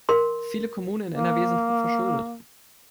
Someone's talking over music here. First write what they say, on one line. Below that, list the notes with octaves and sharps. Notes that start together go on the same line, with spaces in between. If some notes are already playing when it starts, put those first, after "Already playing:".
Viele Kommunen in NRW sind hochverschuldet.
A#4 C6
A#3